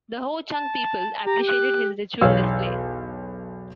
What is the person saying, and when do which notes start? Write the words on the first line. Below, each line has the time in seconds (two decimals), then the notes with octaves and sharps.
The Ho-Chunk people appreciated his ritual display.
0.52 A5
1.26 G4 A#5
1.47 F#6
2.21 B1 E2 C#5 F5 E6 F6